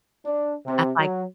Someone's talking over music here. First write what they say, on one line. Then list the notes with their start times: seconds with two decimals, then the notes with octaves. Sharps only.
I'm, like
0.25 D4
0.66 C3
0.98 F#3